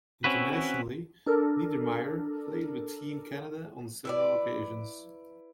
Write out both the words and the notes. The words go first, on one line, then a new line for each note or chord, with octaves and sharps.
Internationally, Niedermayer played with Team Canada on several occasions.
C4 C#4 E4 F#4 B4
D4 A4 A#4
E4 B4 D5